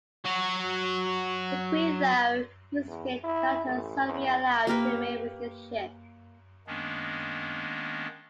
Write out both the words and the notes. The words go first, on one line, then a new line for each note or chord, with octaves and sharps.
The Queen, though, insisted that her son be allowed to remain with his ship.
F#3 F#4
E2
E4
A1
E2
A#3 G4 A#4 B4
D#3 G#3 A#3 B3 C#4 D4